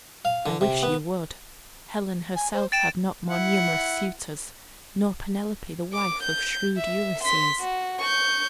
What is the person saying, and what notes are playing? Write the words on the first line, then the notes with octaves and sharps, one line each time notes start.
I wish you would. Helen herself had not more numerous suitors, nor Penelope, the wife of shrewd Ulysses.
F5
D3
C3
B3
G#5
C5
G5 A6 D7 E7
E4 F#5
D6
G6
E5
C6 B6
F#4
C#6 G6